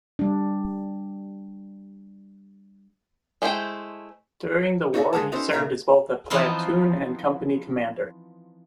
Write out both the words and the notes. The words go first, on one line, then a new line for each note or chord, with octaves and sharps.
During the war he served as both a platoon and company commander.
G3 D4
G#3 A3 E4 C5 G5
D#4 F#4 A4 B4 D5 E5
C#3 G#3 C#4 G#4 F#5 A5
B3 C#4 D#4 F#4 A4 C5
A#2 C#3 E5 F5 A#5
E3 F3 B3 C4 D#4 F4